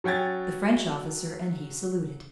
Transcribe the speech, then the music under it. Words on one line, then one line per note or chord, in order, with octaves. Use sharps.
The French officer and he saluted.
F#3 C#4 G5 G#6 A6